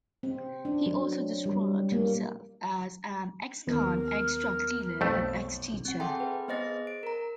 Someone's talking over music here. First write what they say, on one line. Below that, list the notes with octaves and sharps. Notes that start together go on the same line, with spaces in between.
He also described himself as an "ex-con, ex-drug dealer and ex-teacher".
C4
D4
F#3
G3
A#3
D#2 B3 A#4
B1 F2 A3
C4 F#5
G#4 A4 E5 G5 A5 C6
B4
B3 G#4 C5 D#5 A6 A#6
D7
A#4 A#5